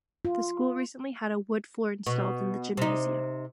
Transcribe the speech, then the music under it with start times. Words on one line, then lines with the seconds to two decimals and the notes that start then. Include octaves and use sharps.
The school recently had a wood floor installed in the gymnasium.
0.25 F4
2.06 B2
2.77 C3 D#4